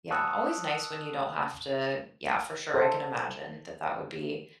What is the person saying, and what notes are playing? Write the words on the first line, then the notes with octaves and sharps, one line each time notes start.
Yeah, always nice when you don't have to Yeah, for sure, I can imagine that that would be
A5 C#6 D#6 E6 F#6
A4 C5